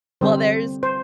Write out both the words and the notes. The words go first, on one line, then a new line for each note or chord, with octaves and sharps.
Well, there's
D3 G3 C4 C5
C5